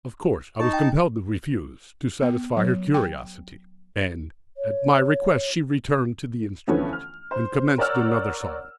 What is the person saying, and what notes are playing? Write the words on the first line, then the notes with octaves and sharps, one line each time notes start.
Of course, I was compelled to refuse to satisfy her curiosity, and at my request she returned to the instrument and commenced another song.
D#4 A5 C#6
G5
B3
F#3
G5
C#5
D3 E3 F3 A3 B3 C#4
F6
C5
A#4 C#5 D5 F#5 E6 F6